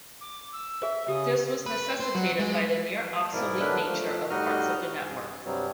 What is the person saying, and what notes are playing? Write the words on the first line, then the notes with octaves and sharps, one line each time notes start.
This was necessitated by the near obsolete nature of parts of the network.
D6
E6
G#4 E5
C#3 G4 D#6
B4
C5
F#3
G#3
G#2 B2 E3 E4 A#4 D5
D3 F#3 G#3 D4 A#4 B4
F3 A3
A2 G3 D#4 F#4 D#5 F6
G2 G#4
G2 C3 F#3 G3